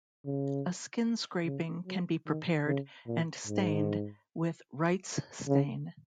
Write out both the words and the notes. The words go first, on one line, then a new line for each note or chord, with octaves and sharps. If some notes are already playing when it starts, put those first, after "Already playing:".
A skin scraping can be prepared, and stained with Wright's stain.
C#3
C#3
F#3
D#3
C#3
A#2
G#2
C#3